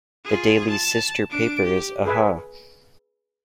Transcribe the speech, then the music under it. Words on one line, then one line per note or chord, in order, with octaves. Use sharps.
The daily's sister paper is Aha!
F4 G#4
A5
D4 D7
G4
G#4 B4 E5 G#5